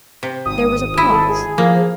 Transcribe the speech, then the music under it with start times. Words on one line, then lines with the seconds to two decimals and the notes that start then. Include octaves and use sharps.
There was a pause.
0.23 C3
0.46 G#1 D#6
0.97 E4
1.11 A4
1.29 G#4
1.58 F3 A#3